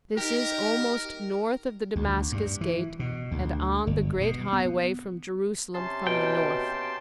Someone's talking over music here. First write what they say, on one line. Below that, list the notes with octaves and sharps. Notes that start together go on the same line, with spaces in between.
This is almost north of the Damascus gate and on the great highway from Jerusalem from the north.
D#4 G4 A#4
D2
G2
E3
B2
D2
G1
B2
B3
C3 C#4 A5 C6
B2 G5